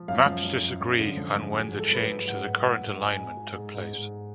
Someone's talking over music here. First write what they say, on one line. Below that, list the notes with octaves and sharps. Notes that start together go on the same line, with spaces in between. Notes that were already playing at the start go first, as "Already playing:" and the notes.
Maps disagree on when the change to the current alignment took place.
Already playing: F3
F#2 F5
F3
F#2
F#2
F#2
D3
F3
F3
F#3 G#4
G#2
A4
F#3 B4
A4
A3
G#2 F#5
G#2
G#2 F#5
G#2
G#3 G#5
G#2
G#3
G#2
G#2
G#2